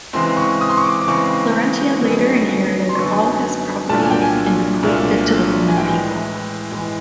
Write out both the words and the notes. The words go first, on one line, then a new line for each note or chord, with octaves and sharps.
Larentia later inherited all his property and bequeathed it to the Roman people.
C#3 E3 G#3 C4 C6
C#6
D#6
C6
C#6
D6
D6
C#3 E3 G#3 C4 C#6
F#2 D3 F#3 B3 D#4
C6
F#2 D3 F#3 B3 D#4 C#6
C2 A#2 F#3 A#3 D4 A5
G#5
G5
G#5
C2 A#2 F#3 A#3 D4
G#5
A2 E3 G#3 G5
A2 E3 G#3